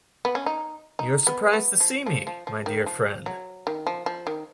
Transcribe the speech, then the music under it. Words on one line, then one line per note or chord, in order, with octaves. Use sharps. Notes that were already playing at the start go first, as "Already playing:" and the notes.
You're surprised to see me, my dear friend.
B3
C#4
D#4
D#4
B3
B3
F3
F3
F3
F3
D#3
F3
F#3
D#3
F3
F3
D#3